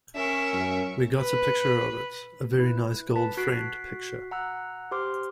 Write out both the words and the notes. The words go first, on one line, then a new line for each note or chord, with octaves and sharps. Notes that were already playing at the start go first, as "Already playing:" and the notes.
We got a picture of it, a very nice gold-framed picture.
C#4 A#4 E5 C#6
F#2
B4
E4 B4
B4 A5 B6
F#4 F#6 B6 C7 D7
F#5 A#5 E6 F#6
G4 C5 C6 D6 F6